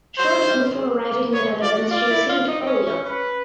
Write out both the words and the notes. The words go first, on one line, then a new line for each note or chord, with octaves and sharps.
Shortly before arriving in the Netherlands she received polio.
F#3 C5
F#3
G3
G#3
A#3
B3 C#5
C4
F4 D5
F#4
F4 D5
E4
F4
D#4
C4
C#4
C#4
C#4 B4